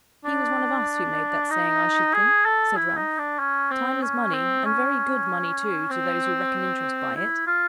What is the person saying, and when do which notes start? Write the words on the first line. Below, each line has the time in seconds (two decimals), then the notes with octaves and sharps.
'He was one of us who made that saying, I should think,' said Ralph. 'Time is money, and very good money too, to those who reckon interest by it.
0.25 D4
1.50 D#4
2.14 G#4
2.45 A4
2.77 E4
2.97 D#4
3.18 D4
3.39 C#4
3.71 C4
4.01 C#4
4.33 C4
4.65 C#4
5.90 C4
7.16 E4
7.47 F4